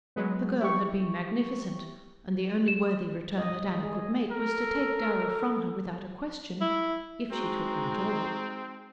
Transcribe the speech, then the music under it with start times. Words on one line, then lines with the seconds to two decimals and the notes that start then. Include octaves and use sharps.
The girl had been magnificent, and the only worthy return that Anna could make was to take Darrow from her without a question if she took him at all...
0.16 F#3 G#3 B3
0.60 E4 G4 C#6
2.68 E7
3.38 D#5
3.50 G3
3.65 G#3
3.83 G#4
3.94 D#5
4.32 A4 A#4
6.61 E4
7.32 G#3 C4 D#4 F#4 A#5